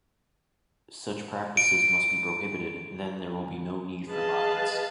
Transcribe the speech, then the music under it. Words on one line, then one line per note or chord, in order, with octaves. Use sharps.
Such practices must be prohibited; then there will be no need for mines.
D7
G#4 B4 D#5 F5 A5